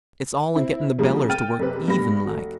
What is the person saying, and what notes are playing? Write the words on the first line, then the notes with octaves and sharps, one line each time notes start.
It's all in gettin' the bellers to work even like.
C4 E4
C#3 F3 G3 G#3 A#3
G5 F6 A6 D#7
F#1 C3 B4
G2 G3 A3 B3 B5 A#6
F1 F#4